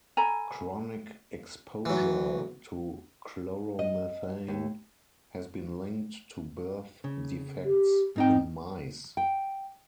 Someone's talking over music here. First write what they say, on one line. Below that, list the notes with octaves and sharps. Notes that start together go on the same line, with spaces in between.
Chronic exposure to chloromethane has been linked to birth defects in mice.
A4 G#5 A#5 B5
E3 F#3
D#5
D#2
C#3
G4
G#2 C4 D#4 G5
G5